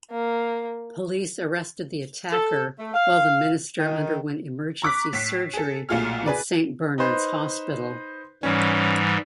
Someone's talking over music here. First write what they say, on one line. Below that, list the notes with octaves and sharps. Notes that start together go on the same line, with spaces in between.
Police arrested the attacker while the Minister underwent emergency surgery in Saint Bernard's Hospital.
A#3
A4
A3
F5
D#3
A#5 C#6 D6 F#6 B6
A2 B6 C7
G#4 A4
B1 A#2 A3 F4 G#4 F6
G#4 B4 D5
D#4 B4 C5
G#2 E3 G3 C#4